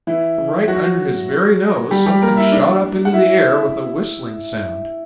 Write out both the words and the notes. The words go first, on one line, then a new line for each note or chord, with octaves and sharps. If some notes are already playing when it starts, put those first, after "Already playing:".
From right under his very nose something shot up into the air with a whistling sound.
E3 E4
F#3 F#4
G3 G4
G3 G4
A#3 A#4
E4 E5
D4 D5
F#5
E4 E5